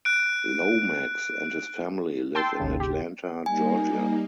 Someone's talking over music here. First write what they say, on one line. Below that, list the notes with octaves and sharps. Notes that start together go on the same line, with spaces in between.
Lomax and his family live in Atlanta, Georgia.
F#6 D7
G5 A5 C6 E6 A6
G#1 D#2 C#3
G4
G3 A#3 D#4 G#5